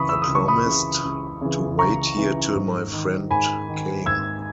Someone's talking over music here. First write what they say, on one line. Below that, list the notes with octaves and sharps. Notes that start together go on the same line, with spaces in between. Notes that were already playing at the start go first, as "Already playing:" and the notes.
I promised to wait here till my friend came.
Already playing: C#2 C#3 E3 B5 C#6 D#6
E6
D#6
C#2
C#6
B5 D#6
C#3 E3
C#2
C#3 E3
C#2 A#5 C#6
C#3 E3
G#2
D#3
G#2 G#5 B5
D#3
G#2 E6 G#6